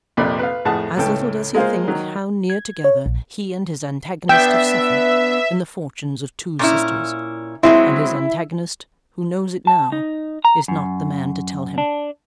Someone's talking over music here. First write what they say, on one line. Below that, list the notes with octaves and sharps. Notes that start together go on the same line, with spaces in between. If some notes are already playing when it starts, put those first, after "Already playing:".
As little does he think how near together he and his antagonist have suffered in the fortunes of two sisters, and his antagonist, who knows it now, is not the man to tell him.
A#1 F2 C3 D5 B5
B4 F5
F2 A2 G#4 F#5 A5
C#2 A2 C#4 A4 G5
G#3 A#3 F4 C5
D#3 F#3
G#6
C#5
A#1
B3 D4 B4 E5 G5
A#2 C#4 E4
F#3 G#3 C4 E4
A5
D#4
A#5
F#2
D4